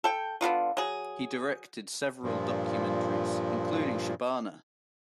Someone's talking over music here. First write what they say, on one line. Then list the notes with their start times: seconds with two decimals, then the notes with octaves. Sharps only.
He directed several documentaries, including Shabana!
0.04 A4 G5
0.41 D3 B3 D#4 F4
0.77 F#3 G#4
2.23 G2 A#2 F3